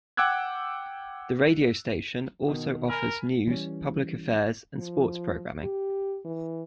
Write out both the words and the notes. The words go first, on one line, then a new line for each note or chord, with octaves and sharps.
The radio station also offers news, public affairs, and sports programming.
F#5 G5 D6 E6 F#6 G#6
B2 D#3
A#4 G#5 B5 F6
E3 G3 C#4
F3
G4
E3